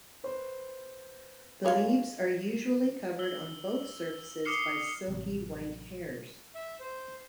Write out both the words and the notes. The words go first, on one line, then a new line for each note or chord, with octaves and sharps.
The leaves are usually covered on both surfaces by silky white hairs.
B4 C5
G#3 C#5 F5
E6 G7
D6 D#6 F6 C7 C#7 G7
A1 C3 F#3
E5
C5